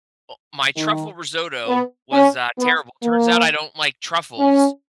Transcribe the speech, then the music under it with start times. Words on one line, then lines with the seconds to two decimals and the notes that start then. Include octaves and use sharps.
Oh, my truffle risotto was, uh, terrible, turns out I don't like truffles.
0.76 D#3
1.67 B3
2.13 C#4
2.58 B3
3.03 A#3
4.39 C#4